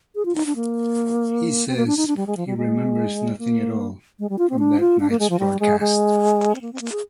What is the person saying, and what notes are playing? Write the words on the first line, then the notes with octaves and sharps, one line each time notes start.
He says he "remembers nothing at all" from that night's broadcast.
G#4
F4
D#4
D4
A#3
C4
A#3
D4
D#4
D4
G3
G#3
F3
G3
G#3
A#3
G#3
G3
F4
C4
D4
F4
D4
A#3
G#3
F3
G3
G#3
G#3
C4
A#3
C4
A#3
G#4